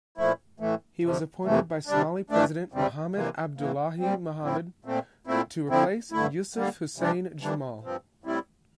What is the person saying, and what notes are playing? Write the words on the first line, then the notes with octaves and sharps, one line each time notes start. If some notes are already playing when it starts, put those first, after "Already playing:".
He was appointed by Somali President Mohamed Abdullahi Mohamed to replace Yusuf Hussein Jimaale.
A#2 F3 A3 E4
A2 E3 A3
F2 C3 F3
F2 C3 E3 A3
C3 G3 D4
G2 E3 A3 D4
E2 C3 G3 C4
C3 E3 A#3
A2 E3 A#3
A#2 G3 C4
A2 F3 C4 E4
A#2 A3 C4
A#2 A3 C4 E4
D3 F3 C4 E4
G2 D3 A3 E4
D3 G3 A#3
C3 E3 G3 D4
F2 E3 G3 D4
G2 F3 C4
A2 G3 C4 E4